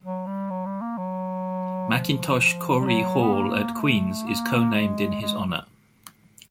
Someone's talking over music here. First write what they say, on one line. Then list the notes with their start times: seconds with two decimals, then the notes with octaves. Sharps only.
Mackintosh-Corry Hall at Queen's is co-named in his honour.
0.03 F#3
0.27 G3
0.50 F#3
0.66 G3
0.81 A#3
0.98 F#3
1.92 F3
2.81 G3
2.86 F#3
3.22 B3
3.33 A#3
3.74 A#3
3.80 A3
4.27 A#3
4.75 G#3
5.22 G#3